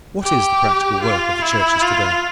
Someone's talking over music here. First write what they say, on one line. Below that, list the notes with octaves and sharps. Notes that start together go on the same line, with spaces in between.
What is the practical work of the churches to-day?
G4
F4
E4
F4